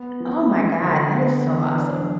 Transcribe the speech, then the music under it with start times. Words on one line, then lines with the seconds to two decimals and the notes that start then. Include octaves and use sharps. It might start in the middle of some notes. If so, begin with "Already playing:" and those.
Oh my God, that is so awesome.
Already playing: B3
0.20 F3
0.51 G#3
0.83 D3
1.14 B3
1.45 E3
1.77 D4